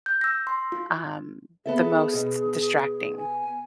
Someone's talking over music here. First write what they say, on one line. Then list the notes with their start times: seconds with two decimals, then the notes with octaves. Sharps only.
um, the most distracting.
0.06 G6
0.21 E6 A#6
0.47 C6
0.72 F4
1.66 B3 G#4 A4 E5
2.13 B2
3.16 G#5